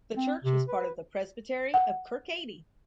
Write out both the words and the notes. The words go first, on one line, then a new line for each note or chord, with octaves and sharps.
The church was part of the presbytery of Kirkcaldy.
C4
C3
B4
F#5